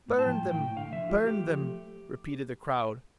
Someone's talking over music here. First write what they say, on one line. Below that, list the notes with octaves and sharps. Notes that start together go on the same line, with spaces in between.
"Burn them! burn them!" repeated the crowd.
A2
A5
F3 G5
A2
G5
A2
D3 F5
F3 E5
A3 F4
A3 G4
F3
A3